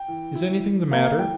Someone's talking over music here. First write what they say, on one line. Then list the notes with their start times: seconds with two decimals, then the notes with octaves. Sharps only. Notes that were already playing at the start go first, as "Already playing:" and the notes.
'Is anything the matter?
Already playing: G5
0.08 E3
0.35 E4
0.63 E3
0.91 A#3 F5
1.19 E3 G5